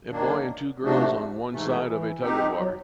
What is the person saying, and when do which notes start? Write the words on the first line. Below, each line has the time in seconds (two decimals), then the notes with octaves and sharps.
A boy and two girls on one side of a tugofwar.
0.10 F#2 D#3 F#3 A#3 D4
0.81 G#2 C3 F3 A3 D4 F#4
1.52 G#2 C3 E3 A3
1.63 B2
1.75 C3
1.87 E3
2.22 B2 G#3 C4 D#4 G4
2.58 F#3